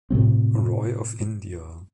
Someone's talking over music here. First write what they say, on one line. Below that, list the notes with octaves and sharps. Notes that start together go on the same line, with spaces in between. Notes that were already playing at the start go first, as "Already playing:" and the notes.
Roy of India.
A2 C3 F#3 C4